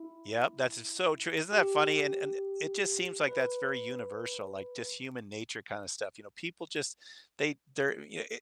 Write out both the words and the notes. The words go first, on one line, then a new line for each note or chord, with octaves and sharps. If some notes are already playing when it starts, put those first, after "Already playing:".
Yep, that's s so true, isn't that funny, and and it just seems like that's very universal, like, just human nature kinda stuff, you know? People just they they're y
Already playing: E4
G4
B4